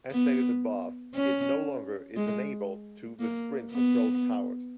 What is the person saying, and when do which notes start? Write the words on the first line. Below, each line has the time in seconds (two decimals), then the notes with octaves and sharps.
As stated above, it no longer is enabled on the Sprint-controlled towers.
0.11 B3
1.14 C#4
2.16 G#3
3.20 A#3
3.71 B3